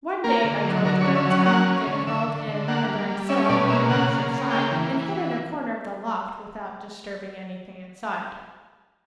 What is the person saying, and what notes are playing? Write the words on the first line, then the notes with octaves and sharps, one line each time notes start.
One day I drove the birds out, then crawled in under a sill on the opposite side, and hid in a corner of the loft without disturbing anything inside.
A#3 A#4
D3
F#3
D3 A#4
C#5
C#4
E5
F#3
F#5
A#3 F#5
C#4
D3
D3 E5
D3
D3
A#3 F#5
G3
G3
C#4 E5
B2 D5
A#3 E5
C#3 F#5
A#3
C#3
A#3 G5
E3
E3